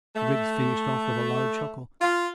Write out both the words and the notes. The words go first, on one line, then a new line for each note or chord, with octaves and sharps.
Griggs finished off with a loud chuckle.
A3
F4